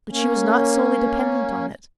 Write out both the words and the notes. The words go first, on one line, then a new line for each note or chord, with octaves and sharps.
But she was not solely dependent on it.
A#3 C#4